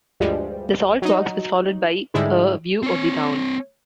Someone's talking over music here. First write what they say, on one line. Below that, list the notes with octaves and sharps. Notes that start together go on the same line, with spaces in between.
"The Salt Box" was followed by "A View of the Town".
D2 G2 F3 G3 G#3
F#3 D#4
G#2 D3 G3 G#3 E4
C4 C#5